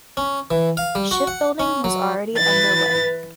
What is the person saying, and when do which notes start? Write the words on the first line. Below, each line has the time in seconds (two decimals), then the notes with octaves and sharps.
Shipbuilding was already underway.
0.17 C#4
0.51 E3
0.77 F5
0.95 G3
1.11 F#4
1.27 F#5
1.60 C#4
1.84 F#3
2.37 E3 B4 A6